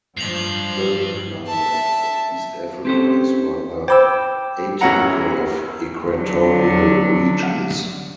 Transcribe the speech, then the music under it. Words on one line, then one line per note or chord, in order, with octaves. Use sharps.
The climate of East Africa is rather atypical of equatorial regions.
G2 F3 C7 F7 F#7
E5 A5
C4 C#4 G4 A4 C5
C5 G5 B5 D6 E6
B1 F#2 C#4 E4 F#5 A#5
D3 F#3